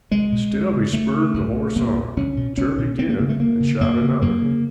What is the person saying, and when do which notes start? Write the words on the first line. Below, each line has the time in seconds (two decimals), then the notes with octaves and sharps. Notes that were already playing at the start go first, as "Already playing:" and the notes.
Still he spurred the horse on, turned again and shot another.
0.11 C2 G#3
0.32 B2
0.53 D2
0.73 C#3
0.93 D2 A3
1.14 C#3
1.34 C2
1.55 A#2
1.76 C2 A#3
1.96 A#2
2.16 C2 C#4
2.37 B2
2.57 C2 C#4
2.78 B2
2.99 D2 C4
3.09 A#3
3.19 C#3 A#3
3.29 A3
3.40 D2 A#3
3.60 C#3
3.81 F#2 A#3
4.01 C#3
4.21 F#2 A#3
4.42 C#3